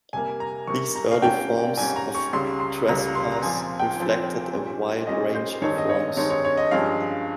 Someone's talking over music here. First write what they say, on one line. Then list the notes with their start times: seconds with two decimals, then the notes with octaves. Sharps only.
These early forms of trespass reflected a wide range of wrongs.
0.13 C3 G3 A#3 G#5
0.40 A#5
0.67 C3 G3 A#3 C#6
0.96 A#5
1.11 F5
1.22 G#2 G3 C#4 G5
1.77 G#2 G3 C#4 G#5
1.96 A#5
2.15 C#6
2.33 C#2 C#3 G3 C6
2.60 C6
2.88 C#2 C#3 G3 A#5
3.15 C6
3.32 A#5
3.42 A#2 F3 C4 G#5
3.80 G5
3.97 A#2 F3 C4
4.52 A#2 G3 C#4
5.07 A#2 G3 C#4 D#5
5.35 C5
5.61 G2 D#3 G#3 C4 D#4 C#5
5.78 D#5
5.89 C#5
6.17 G2 D#3 G#3 C4 D#4 C#5
6.30 C#5
6.45 C#5
6.57 D#5
6.71 G2 F3 G#3 C#4 F5